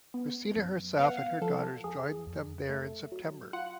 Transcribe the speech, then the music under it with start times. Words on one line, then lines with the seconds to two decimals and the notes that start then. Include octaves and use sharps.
Christina herself and her daughters joined them there in September.
0.14 B3
0.56 F#2
0.99 B3 F5
1.08 F#5
1.17 F5
1.41 F3 A4
1.84 F2 G#4
2.27 F2
2.69 A3
3.12 F#3
3.53 F4 F#5